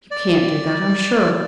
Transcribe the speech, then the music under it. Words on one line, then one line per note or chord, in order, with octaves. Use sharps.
You can't do that, I'm sure.
D5